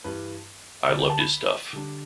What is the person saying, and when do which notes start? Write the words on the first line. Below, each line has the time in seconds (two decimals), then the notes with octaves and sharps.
I loved his stuff.
0.04 G2 E3 G3 B4
0.89 D2 D3 G3 D5
0.99 G5
1.10 A5
1.20 B5
1.73 D3 G3 D4